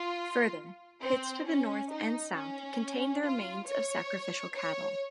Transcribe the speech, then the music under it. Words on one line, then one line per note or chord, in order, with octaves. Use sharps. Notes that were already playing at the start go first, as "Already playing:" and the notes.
Further pits to the north and south contain the remains of sacrificial cattle.
Already playing: F4
C4
C#4
D#4
C#4
F4
C#5
C#5